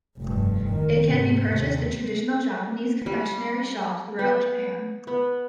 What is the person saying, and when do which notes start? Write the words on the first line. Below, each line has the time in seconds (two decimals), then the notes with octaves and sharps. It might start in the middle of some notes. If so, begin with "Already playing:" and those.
It can be purchased in traditional Japanese confectionery shops throughout Japan.
0.18 F1 G2
0.70 D#3
1.07 G#2 C3
1.49 D#2 C3
3.06 G3
4.19 B3
5.07 B3